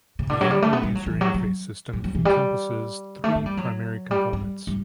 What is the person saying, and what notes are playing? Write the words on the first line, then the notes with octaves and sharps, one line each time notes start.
The Andrew User Interface System encompasses three primary components.
C#3
D3
F#3
G3
A3
B3
G3
F#3
E3
F#3
F#3
F#3
F#3
E3
G3
A3
A3
G3
F#3
G3
G3
G3